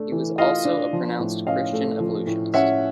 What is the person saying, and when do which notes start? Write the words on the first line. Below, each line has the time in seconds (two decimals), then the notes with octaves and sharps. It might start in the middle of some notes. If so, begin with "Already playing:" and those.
He was also a pronounced Christian Evolutionist.
Already playing: A3 D4
0.12 E3
0.38 F4 D#5 F5
0.65 D4
0.93 F3
1.19 A2
1.47 C#4 D#5 F5
1.73 A3
2.00 F3
2.27 A2
2.54 C#4 E5 F#5